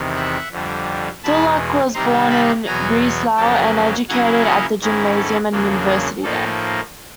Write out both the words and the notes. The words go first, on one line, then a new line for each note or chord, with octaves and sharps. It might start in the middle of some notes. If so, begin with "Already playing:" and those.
Tholuck was born at Breslau, and educated at the gymnasium and university there.
Already playing: E2 C3 D#3
E5 F#5
F2 D3 G3
E2 B2 G#3 A5 B5
C3 D#3 G3 C4 D#4 A#5 C6
A5 B5
E2 B2 F#3 B3 G#5 A#5
F2 C#3 F#3 A#3 C#4 G5 A5
C#3 F#3 A#3 C#4 E4 F#5 G#5
C#5 D#5
G#2 D#3 G#3 C#4 E4
A4
E2 C#3 F#3 A#3 D4
G#4
A2 F3 A#3 D#4 A4